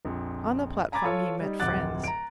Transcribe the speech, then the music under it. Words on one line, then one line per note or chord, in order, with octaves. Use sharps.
On the platform he met friends.
A#1 F2
G#5 A#5 B5 D6 G#6 A6
F4 A4 C#5
G3 D#4
D1 F2 F#5 D6 F#6 A6
A#5 D7